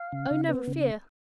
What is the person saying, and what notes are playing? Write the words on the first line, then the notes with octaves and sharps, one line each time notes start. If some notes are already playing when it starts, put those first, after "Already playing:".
'Oh! never fear!
Already playing: F5
C#3
C#3
B3
C#3